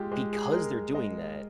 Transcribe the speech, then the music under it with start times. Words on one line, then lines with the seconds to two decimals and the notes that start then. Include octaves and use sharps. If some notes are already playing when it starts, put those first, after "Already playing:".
because they're doing that,
Already playing: G#3 F4 G4
0.12 G#3 G4
0.33 G#4
0.53 G#3 A#4
0.94 G#3 D#5